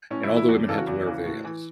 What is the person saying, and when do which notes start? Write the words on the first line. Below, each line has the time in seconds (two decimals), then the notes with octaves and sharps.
and all the women had to wear veils.
0.11 A2 C#4
0.24 E4
0.30 E3
0.37 E4
0.49 E2 F#4
0.68 C#3 E3 A4
0.78 F#4
0.87 E2
1.07 C#3 E3
1.26 A2
1.44 E3